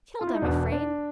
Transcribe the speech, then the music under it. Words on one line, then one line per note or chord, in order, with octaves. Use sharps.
Killed, I'm afraid!
F4
E4
D#4
E1 E2 B2 D4
D4